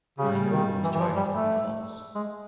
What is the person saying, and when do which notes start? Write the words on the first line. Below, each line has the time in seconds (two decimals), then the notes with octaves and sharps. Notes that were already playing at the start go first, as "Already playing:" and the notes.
I know these charges to be false.
0.19 C#3 G3
0.52 D#3
0.84 E3
0.94 E3
1.01 F3
1.16 G3
1.33 A3
2.15 G#3